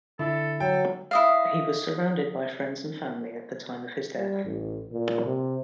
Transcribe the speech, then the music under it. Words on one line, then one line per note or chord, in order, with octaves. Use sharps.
He was surrounded by friends and family at the time of his death.
D3 E4 A4
F#3 A4 G5
E4 D#5 F5
G3
A1
A#2
C3